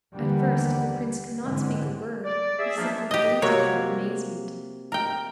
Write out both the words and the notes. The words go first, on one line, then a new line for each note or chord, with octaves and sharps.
At first the Prince could not speak a word, he simply gazed at her in amazement.
D#2 D3 E3 G3 A#3 B3
G#2 D3 E3 G#3 C4
D5
G#4 E5
F3 F#3 A#3 D4 D#4 F4
G4 D#5
C3 A#3 F#4 C#5
A#4 G5